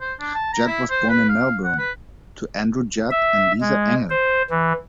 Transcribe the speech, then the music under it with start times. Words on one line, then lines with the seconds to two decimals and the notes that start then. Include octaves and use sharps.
Judd was born in Melbourne to Andrew Judd and Lisa Engel.
0.01 C5
0.20 D4
0.34 A5
0.53 A#5
0.66 E4
0.90 C5
1.09 B4
1.29 F5
1.64 F#5
1.79 B4
3.11 E5
3.61 G#3
4.10 C5
4.50 E3